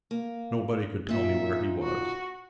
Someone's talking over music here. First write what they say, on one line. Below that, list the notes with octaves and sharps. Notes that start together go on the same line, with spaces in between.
Nobody could tell me where he was.
A#3
A#2 D#4 E5
F#4